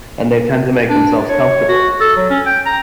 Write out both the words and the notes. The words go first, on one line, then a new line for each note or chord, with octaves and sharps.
and they tend to make themselves comfortable.
D4
C#5
F#4
A4
F#3
C#4
G5
A#5